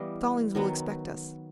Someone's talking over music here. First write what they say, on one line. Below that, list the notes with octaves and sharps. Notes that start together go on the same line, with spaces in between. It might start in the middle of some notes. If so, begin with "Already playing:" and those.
Stallings will expect us.
Already playing: E3 G3 B3 D#5 F5
D#3 F#3 B3